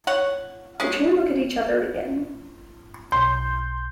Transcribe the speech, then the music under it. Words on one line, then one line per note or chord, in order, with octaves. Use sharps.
The two look at each other again.
C#5 F#5
G#3 C#4
B1 C6 G6